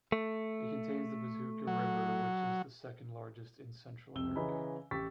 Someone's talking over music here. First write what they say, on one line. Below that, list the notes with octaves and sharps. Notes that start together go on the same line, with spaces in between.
It contains the Patuca River which is the second largest in Central America.
A3
F#3
C2 F2 E6 G7
C#3 E3 C#4 D#5 A#5 B5
A1 G4 C#6 E6 A6 B6